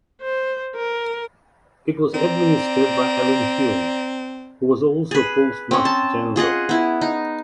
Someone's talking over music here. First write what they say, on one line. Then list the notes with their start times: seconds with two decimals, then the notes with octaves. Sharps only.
It was administered by Alan Hulme, who was also Postmaster-General.
0.22 C5
0.76 A#4
2.14 C4 D5 A#5
5.11 G#4 B4
5.71 C4 C#4
5.85 A5
6.36 F4 G#4 D#5 F#5
6.69 B3 E4
7.01 D#4